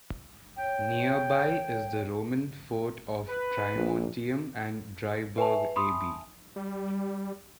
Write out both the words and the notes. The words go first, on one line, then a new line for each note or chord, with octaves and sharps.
Nearby is the Roman fort of "Trimontium", and Dryburgh Abbey.
C#5 G5
B4
A#1
B4 E5 G#5 A5
B5 C6 D#6
G3